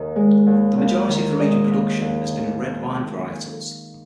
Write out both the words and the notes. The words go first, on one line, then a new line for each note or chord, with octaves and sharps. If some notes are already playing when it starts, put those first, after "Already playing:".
The majority of the region production has been in red wine varietals.
Already playing: D#2 D#3 D#5
G#3
D#2
D#2
D#3
G#3 D#5
D#2
D#2
D#3